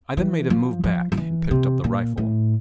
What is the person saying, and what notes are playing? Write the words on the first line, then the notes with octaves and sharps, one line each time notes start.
I then made him move back, and picked up the rifle.
E3
F3
F3
F3
E3
C3
A#2
A2